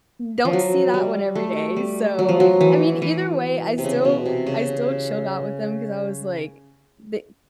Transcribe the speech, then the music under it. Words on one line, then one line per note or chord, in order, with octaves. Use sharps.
Don't see that one every day, so, I mean, either way, I still I still chilled out with them, 'cause I was like the
F3
F#3
G3
A3
G3
F#3
F3
F#3
E3
E3
C3
C#3
B2
C3
C#3